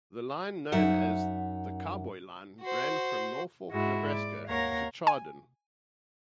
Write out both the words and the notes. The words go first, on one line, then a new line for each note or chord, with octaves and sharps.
The line, known as the "Cowboy Line", ran from Norfolk, Nebraska to Chadron.
F#2 D#4 E5 F#5
F#4 C5
G#2 G#3 E4 F#4
D5
D#2 A#4 C#5 F5 F#5 A#5
G#5